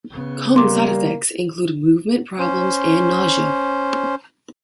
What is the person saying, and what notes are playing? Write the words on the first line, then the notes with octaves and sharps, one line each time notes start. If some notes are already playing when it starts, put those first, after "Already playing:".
Common side effects include movement problems and nausea.
C#3 B3
G3 A#3 C6 D6
C#4 C5